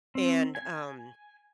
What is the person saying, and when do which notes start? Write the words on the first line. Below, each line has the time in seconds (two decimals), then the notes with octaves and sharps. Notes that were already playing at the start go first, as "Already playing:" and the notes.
and, um,
0.15 C4
0.55 G#5